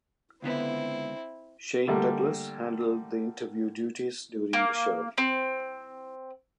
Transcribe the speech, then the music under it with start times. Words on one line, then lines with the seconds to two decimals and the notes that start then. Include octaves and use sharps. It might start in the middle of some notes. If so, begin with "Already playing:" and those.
Shane Douglas handled the interview duties during the show.
0.42 C#2 D3 B3 C4 E4
1.87 D3 G3 A3 A#3
4.53 A#3
5.18 C4